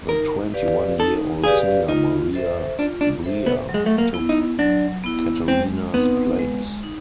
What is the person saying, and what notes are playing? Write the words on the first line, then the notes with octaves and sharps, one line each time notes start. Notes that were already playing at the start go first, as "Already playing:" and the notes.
The twenty-one year old singer Maria Bria took Catharina's place.
D#4 A#4
G4 B4 D5 F5
D#4 A4
G4 G#4 B4 D5 F5
D#4 F4
A4 C5 E5
D4 F4
D4
A4 C5 E5
B3
F#3
G#3
A3
A#3
B3 E4
D#4
F#3 D4
B3 E4
G#3 C4
B3 C4 D#4
G#3
D#4